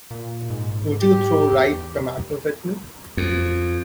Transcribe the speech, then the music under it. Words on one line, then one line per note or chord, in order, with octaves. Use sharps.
Would you throw ripe tomatoes at me?
A#2
G#2
G4
E2
F2